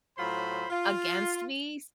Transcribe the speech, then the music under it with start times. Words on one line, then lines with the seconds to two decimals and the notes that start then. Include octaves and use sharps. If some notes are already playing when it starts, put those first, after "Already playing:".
against me s
0.18 A2 F#3 F4 C5 B5
0.70 F4